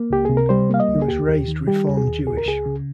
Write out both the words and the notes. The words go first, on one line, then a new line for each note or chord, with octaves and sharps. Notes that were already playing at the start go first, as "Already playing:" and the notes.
He was raised Reform Jewish.
Already playing: A#3
C#2 G4
C3 G#4
A#4
G3 C5
A#3 F5
D#5
C#2
G#4
D#2 G4
D#2
D#3
G3 G4
D#2
G#4
D#2
C#2 G#4
A#4
C#2 G#4
C#3